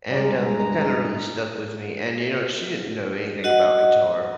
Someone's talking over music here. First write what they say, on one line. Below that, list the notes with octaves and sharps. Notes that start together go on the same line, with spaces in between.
And, um, that kinda really stuck with me and, you know, she didn't know anything about guitar,
C#2 G2 G#3 G4 G#4 D5 A#5
F#4 D#5 F#5